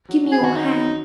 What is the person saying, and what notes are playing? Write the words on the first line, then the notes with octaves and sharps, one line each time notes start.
Give me your hand.
F#3
F#3
G#4
D#3 F#4
F#3 D#4
F#3